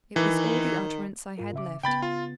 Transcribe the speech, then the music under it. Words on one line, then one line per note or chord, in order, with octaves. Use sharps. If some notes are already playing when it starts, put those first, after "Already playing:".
It was all the utterance I had left.
D#3 E3
G#2 F4 A#4
C#3 E5 D6
C#3 B3 G5 B5 A6
F4